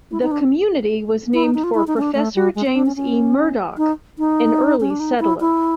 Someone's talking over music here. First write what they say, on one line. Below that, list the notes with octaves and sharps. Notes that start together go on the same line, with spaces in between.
The community was named for Professor James E. Murdoch, an early settler.
E4
D#4
D4
E4
D#4
D#4
F4
E4
D#4
C#4
D4
A3
G3
G#3
C4
D4
C#4
C#4
D#4
D#4
C#4
D4
D#4
E4
E4